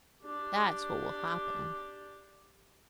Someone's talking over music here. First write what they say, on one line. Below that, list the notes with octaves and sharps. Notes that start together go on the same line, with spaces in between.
That's what will happen.
D4 G4